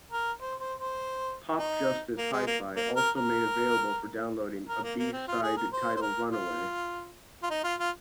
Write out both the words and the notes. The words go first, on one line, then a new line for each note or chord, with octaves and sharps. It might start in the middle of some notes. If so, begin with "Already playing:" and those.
Popjustice Hi-Fi also made available for downloading a B-Side titled Runaway.
A#4
C5
C5
C5
D#4
A#3
G#3
A#3
A#3
A#4
A#4
A#4
A#3
A#3
C4
F4
G#4
A#4
C5
C5
A#4
F4
F4
D#4
F4
F4